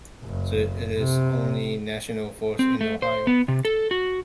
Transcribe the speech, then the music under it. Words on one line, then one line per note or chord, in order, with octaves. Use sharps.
It is the only national forest in Ohio.
F#1
C3
C4
A3
C5
B3
C3
A4
F#4